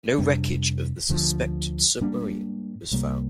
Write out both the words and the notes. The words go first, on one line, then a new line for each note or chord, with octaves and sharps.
No wreckage of the suspected submarine was found.
F2 C3 G3 D4
D2 D3 F3
G#2 G3 A#3 D4
C2 C3 G3 A#3